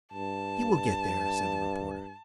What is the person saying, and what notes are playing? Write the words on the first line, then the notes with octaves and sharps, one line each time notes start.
"He will get there!" said the reporter.
G2 A5